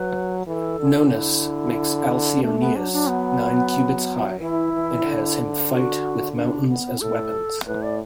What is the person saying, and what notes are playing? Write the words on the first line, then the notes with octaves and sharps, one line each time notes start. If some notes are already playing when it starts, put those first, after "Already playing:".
Nonnus makes Alcyoneus nine cubits high, and has him fight with mountains as weapons.
Already playing: F#3 B4
E3 A4
D3
E4
B3
A3 D4
B3
F#3 D4
D4
B3
E3 E4
E3
D3
F#4
D4
B3
A2 A4
A2 B4
D5